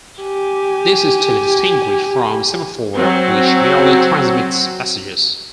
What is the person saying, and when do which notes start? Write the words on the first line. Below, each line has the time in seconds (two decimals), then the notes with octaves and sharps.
This is to be distinguished from "semaphore", which merely transmits messages.
0.21 G4 G#5
2.96 F#3 C4